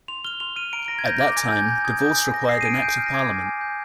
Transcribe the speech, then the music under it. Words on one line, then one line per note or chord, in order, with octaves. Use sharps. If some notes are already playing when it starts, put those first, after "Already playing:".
At that time, divorce required an Act of Parliament.
C6 F7
F6 G7
C6 F7
F6 D#7
A#5 D7
A#5 A#6
G#6
G6 A#6
D6 A#6
G#5 G#6
G6
G#5 G#6
G6
D#6 G#6
G#5 G6
G#5 G#6
G6 A#6
A#6
D#6 C7
D#7
G#5 D7
G#5 G6
F6
A#6
D6 G#6
G#5
G#5
G6